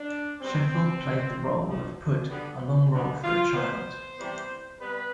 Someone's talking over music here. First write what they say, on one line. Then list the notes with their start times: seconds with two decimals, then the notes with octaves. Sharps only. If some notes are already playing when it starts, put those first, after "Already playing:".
Sheffield played the role of Pud, a long role for a child.
Already playing: D4
0.40 B2 G3 B3 C4
1.04 B2 G3 B3
1.67 G2 D3 F3 A3
2.29 D3 G3 B3
2.92 D3 G3 B3
3.23 F4
3.55 B2 B3 C5
4.18 C3 E3 G3 B3
4.80 C3 G3 B3 B4